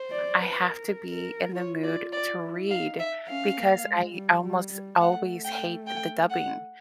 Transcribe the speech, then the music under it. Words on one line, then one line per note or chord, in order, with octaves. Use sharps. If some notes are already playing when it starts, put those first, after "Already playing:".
I have to be in the mood to read because I almost always hate the dubbing.
Already playing: C5
D5
B4
A#4
A#4
F4 C#5
D5
D5
E4
D#4 F5
E5
C#4 F5
A#3
G#3
G3
G3
G3
A3 F#5
G5
G5
F#5